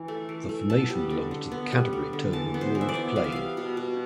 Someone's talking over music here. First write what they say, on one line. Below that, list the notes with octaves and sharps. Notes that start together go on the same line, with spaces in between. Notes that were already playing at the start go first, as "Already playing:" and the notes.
This formation belongs to the category termed a walled plain.
Already playing: E3
A3
E3
A3
B3 A5
G3
D3
D3
B3
G3
D3
D3
E3 A5
B3
C5
E3
E5
D5
B3
B3 F5
E5
G3 F5
B2
B2